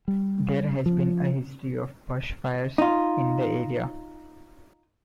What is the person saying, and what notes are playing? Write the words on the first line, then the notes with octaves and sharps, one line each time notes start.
There has been a history of bushfires in the area.
G3
F3
D#4 F4